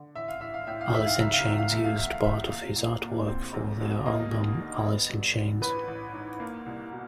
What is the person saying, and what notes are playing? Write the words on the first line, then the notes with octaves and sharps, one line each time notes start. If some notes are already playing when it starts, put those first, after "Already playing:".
Alice in Chains used part of his artwork for their album "Alice in Chains".
Already playing: D3
A1 E5
F5
A1 E5
F5
A2 E5
F5
D#3 E5
F5
F#1 E5
F5
E2 E5
F5
A3 E5
F5
D2 E5
F5
C3 E5
A#3 F5
C2
A#2
C4
B1
B2
A#3 D#5
D#2
D3
B3
G2
D3
A1 B4
A1
G#2
A#3
C2
B2